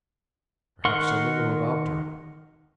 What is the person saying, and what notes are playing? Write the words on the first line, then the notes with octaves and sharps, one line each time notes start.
Perhaps some one will adopt her.
D#3 A#4 F#5 C6 C#6